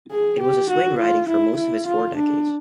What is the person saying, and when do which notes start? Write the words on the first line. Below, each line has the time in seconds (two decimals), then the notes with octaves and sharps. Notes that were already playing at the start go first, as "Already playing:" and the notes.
It was a swing riding for most of its first four decades.
0.11 G#4
0.41 G4
0.70 F#4
0.99 F4
1.29 E4
1.57 E4
1.87 F4
2.16 D4